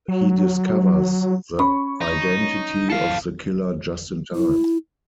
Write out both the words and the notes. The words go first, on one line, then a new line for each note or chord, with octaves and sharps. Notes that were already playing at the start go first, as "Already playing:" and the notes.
He discovers the identity of the killer just in time.
F#3
C#4 B5 C#6
D#4
E4 A4 F5
E4